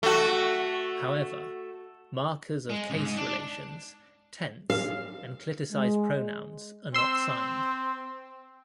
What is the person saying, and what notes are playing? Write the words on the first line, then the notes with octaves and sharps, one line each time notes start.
However, markers of case relations, tense, and cliticised pronouns are not signed.
A3 F#4
G#3
C#2 G#2
D4
F5
G#3
C4 C6 E6